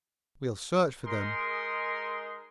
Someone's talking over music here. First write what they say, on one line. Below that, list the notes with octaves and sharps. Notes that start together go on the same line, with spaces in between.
We'll search for them.
G#3 D#4 G#4 A#4 D#5 C6